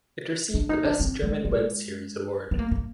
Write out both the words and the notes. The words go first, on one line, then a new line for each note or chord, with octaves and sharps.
It received the Best German Web Series award.
D4
D#4
D4
C4
G#3
G#3
B3
A#3
A#3